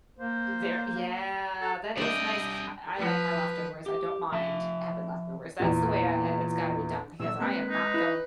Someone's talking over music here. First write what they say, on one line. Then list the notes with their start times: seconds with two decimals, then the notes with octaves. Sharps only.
Y there yeah. That is nice. I l like my leftovers. I don't mind having leftovers. That's the way I i it's gotta be done because I am not going
0.19 A#3 C5
1.61 F#4 A4
1.98 G3 D4 D#5 E5 G5 D#6
2.98 F3 B4
3.86 G4
4.32 F3 E5
5.60 E2 A#2
7.20 A#2 F#3 E5 E6
7.40 G#3 A#3 C4 A#4 B4
7.70 D#4
7.94 E4 B4